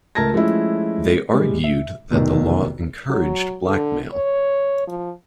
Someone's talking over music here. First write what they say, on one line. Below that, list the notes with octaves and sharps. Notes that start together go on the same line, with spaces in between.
They argued that the law encouraged blackmail.
C#2 A3 A#4 A5 G#6 A#6
F3 G#3 A3 C#4 E4
A2 G3 G#3
E5
F1 B1 D#3
F#3
D3
C#5
F3